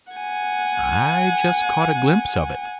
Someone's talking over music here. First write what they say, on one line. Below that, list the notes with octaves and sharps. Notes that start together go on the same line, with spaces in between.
"I just caught a glimpse of it."
F#5 G#5